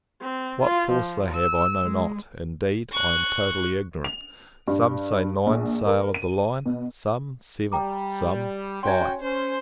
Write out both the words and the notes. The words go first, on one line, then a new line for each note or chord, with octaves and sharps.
What force they have, I know not; indeed, I am totally ignorant: some say, nine sail of the line; some, seven; some, five.
C4
F4
F3
E6
G#3
C#6 F#6
F7
G2
A#1
A#4
D#7
B2
G3 G5 A#5 D6
C#4 F#4 G5 C6 G#6
C#4 C5